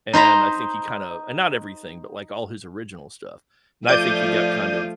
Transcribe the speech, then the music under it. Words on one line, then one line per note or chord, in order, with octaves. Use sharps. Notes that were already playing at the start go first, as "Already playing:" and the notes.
and I think he kinda and not everything, but, like, all his original stuff, and I think he got kind of
D#4 C5 A#5 B5
F3 A3 F4 D5 G6 D#7